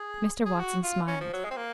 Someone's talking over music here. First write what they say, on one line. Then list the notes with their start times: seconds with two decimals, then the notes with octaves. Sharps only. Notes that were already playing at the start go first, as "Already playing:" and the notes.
Mr. Watson smiled.
Already playing: G#4
0.46 G#4
0.60 F#4
0.83 F4
1.07 C#4
1.21 F3
1.33 F#3
1.44 G#3
1.51 C4
1.57 A#3